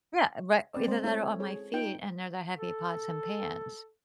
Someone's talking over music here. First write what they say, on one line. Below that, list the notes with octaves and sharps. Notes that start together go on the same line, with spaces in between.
Yeah, right, either that or on my feet, and they're the heavy pots and pans.
C4 D5
G#3 C5
E4 A4 C#5
G#4 C#5
D#4 F4 G5
A4